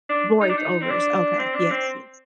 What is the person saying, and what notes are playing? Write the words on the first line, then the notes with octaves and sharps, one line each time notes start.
Voice overs, okay, yes, yes.
D4
D#4
D4
D#4
C4
D4
C4
D4
C4